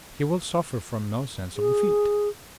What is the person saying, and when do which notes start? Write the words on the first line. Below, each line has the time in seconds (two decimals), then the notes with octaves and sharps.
He will suffer from no sense of defeat.
1.57 G#4